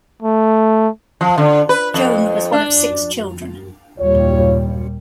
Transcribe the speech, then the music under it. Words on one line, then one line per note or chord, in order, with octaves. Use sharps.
Joan was one of six children.
A3
F3
D3
B4
F2
D4
D#2 A#2 G3 F4 C#5